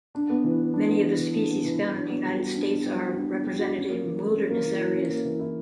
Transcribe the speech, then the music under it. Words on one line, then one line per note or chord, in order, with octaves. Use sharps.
Many of the species found in the United States are represented in wilderness areas.
D4
B3
E3
E3
D4
B3
E3
E3
D4
B3
E3
E3
D4
B3
G3
F#4
D4
B3
G3
F#4
D4
B3
G3
F#4
C#4
A#3
E3
E4
C#4
A#3
E3
E4
C#4
A#3
E3
E4